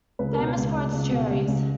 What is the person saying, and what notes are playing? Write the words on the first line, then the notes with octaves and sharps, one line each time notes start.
Famous for its cherries.
C#2 B4
A#4
B2
B4
C#2
C#2
C#2
B2
C#2
C#2